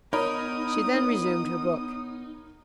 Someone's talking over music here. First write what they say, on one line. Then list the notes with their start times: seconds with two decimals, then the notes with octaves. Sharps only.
She then resumed her book.
0.13 B3 D#4 A#4 C#5 B5 D#6